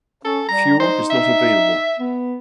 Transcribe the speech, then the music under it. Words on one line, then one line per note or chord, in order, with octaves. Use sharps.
Fuel is not available.
C#4 A4
G3 A#5
D#4 C5
E5
B3